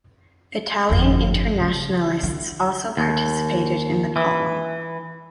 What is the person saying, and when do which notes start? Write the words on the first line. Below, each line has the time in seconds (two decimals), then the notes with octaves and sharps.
Italian internationalists also participated in the column.
0.90 G1 F2
1.59 C#3 C#4
2.23 D3
2.97 D#2
4.16 E3